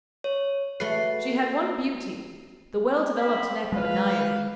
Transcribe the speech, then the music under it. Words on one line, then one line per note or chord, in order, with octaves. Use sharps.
She had one beauty--the well-developed neck of a Niobe.
C#5
A3 F#4 B4 C7
C4 B5
G#3 B4 F5